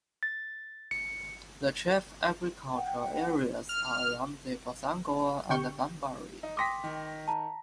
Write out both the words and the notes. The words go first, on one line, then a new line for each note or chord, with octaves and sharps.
The chief agricultural areas are around the Bossangoa and Bambari.
A6
C#7
F#5 G5
F6
D3 G4 G5 C#6 G6
D#4
G5 C6 D6 D#6 A#6 B6
D#3
A5 A#5